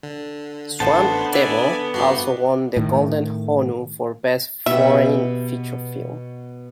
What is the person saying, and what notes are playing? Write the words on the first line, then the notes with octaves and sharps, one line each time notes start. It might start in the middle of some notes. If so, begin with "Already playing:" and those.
Swamp Devil also won the Golden Honu for Best Foreign feature film.
D3
A1 D3 B3 C5 F#5 A5
D5 E5 G#5
G2 F3 F#4 G4 C7
A2 D#3
B2 G4 E5